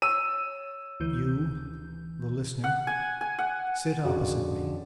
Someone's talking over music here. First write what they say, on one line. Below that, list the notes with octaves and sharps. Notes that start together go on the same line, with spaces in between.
You, the listener, sit opposite me.
C#5 E6 D#7
D2 E3 G6
F#5
G#5
G#5
F#5
F2 D3 C#4 F#4 G#4